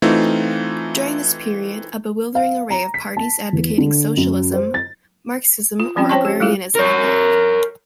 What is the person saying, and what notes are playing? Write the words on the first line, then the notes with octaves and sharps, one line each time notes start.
During this period, a bewildering array of parties advocating socialism, Marxism or agrarianism appeared.
E3 A3 C4 D#4 F4
F5
A#5
B6
A5
E2
D3
F#2
C5
A6
F4
F3 C4 C#4 F4 G5
C5 C#5 G5 A5 C6 C#6
G4
G3 G#3 E4 F4 G#4
A#4 C#5